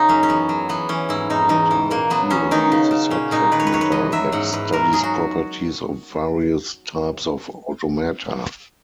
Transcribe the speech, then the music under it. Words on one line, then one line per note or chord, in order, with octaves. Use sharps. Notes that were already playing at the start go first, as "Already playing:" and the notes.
Automata theory is a subject matter that studies properties of various types of automata.
Already playing: C#3 D#4 F#4
F#2 C#4
C#4
E2 B3
F#3
E3 B3
E3 C#4
G#2 E4
G#2 D#4
E2 D#4
E3
A#2 A#3
F#3 B3
E2 C#4
D#3 D#4
C#3
C#3
A#2 C#4
A#2 D#4
D#3 B4
C#5
B4
F#2 C#5
B4
E2 D#5
F#3 E5
G#2 F#5
G#2 B4
G#2 A#4
F#3 G#4
F#4